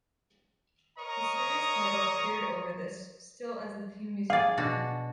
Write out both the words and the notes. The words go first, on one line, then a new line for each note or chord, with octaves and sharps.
The series' title appeared over this still as the theme music began.
A#4 C#5 D#5 A#5 C#6 D#6
G#4 D5 F5
B2 D4 F#4